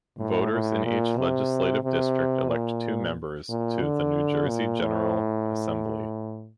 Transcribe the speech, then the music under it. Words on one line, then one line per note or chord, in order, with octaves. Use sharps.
Voters in each legislative district elect two members to the New Jersey General Assembly.
A2
A2
A#2
C3
C3
A#2
A#2
D3
A#2
A2